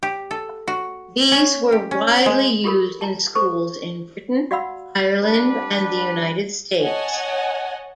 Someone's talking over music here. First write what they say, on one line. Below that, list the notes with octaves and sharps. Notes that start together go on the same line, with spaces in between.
These were widely used in schools in Britain, Ireland and the United States.
G4
A4
F#4
C#4
G4
C#4
G#3
F4 G4 A4 A#4 B5
A5 A#5
A4 C5 C#6
F#4 D5 F5 F#5 B5 E6
G3 D4 B4
C#5 D#5 F#5 G#5 A5